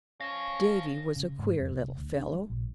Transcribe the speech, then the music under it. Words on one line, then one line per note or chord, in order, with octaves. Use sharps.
Davy was a queer little fellow.
C#4 C5 F5 A#6
C#3
G#2
F2
C2
D2
D4
G3
A#1